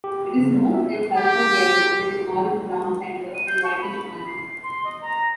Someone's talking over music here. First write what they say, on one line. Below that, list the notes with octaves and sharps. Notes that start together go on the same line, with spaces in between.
It is smooth and sulphur yellow with an orange-brown centre and whitish margin.
G4
F#4
C#3
G3
E5
G4
D#7
G6
C#6
B5
B5
C7
C6
D#5
A#5